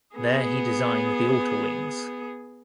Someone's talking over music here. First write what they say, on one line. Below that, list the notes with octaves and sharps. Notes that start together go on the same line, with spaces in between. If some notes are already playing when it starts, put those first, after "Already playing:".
There he designed the altar wings.
B3 G#4